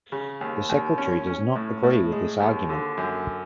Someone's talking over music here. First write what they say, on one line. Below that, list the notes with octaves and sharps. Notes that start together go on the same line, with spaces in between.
The Secretary does not agree with this argument.
C#3
D#2
D#2
C#4
C#4
A2
A2
G#3
D#2
D3
F#2